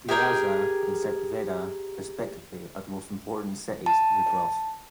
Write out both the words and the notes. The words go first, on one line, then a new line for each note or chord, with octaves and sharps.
Riaza and Sepúlveda, respectively, are the most important cities they cross.
G4 G#4 A#4 G5
A5